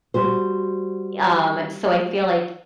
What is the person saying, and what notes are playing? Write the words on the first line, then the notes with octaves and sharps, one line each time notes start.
Um, so I feel like,
G3 F#4 C5